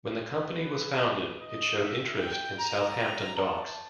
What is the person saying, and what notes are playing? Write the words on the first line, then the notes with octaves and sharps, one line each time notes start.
When the company was founded it showed interest in Southampton Docks.
B4
D#5
E5
G5
A#5
A5